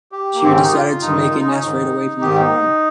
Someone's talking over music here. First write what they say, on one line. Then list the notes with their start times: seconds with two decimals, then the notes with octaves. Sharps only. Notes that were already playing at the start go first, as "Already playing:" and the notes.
She decided to make a nest right away from the farm.
0.12 G4
0.35 A#3
0.42 G#2 D#3 C4
0.53 C#4
0.62 D#4
0.72 F4
1.02 G2 D#3 D#4
1.32 F4
1.39 D#4
1.47 C#4
1.55 D#4
1.61 G#2 D#3
2.21 G#2 D#3 G4
2.36 D#4